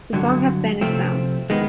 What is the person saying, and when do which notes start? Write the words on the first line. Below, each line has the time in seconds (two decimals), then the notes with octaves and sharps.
The song has Spanish sounds.
0.13 G2 D3 F#3
0.81 C3 F3 A3 C4
1.50 D#3 G#3 B3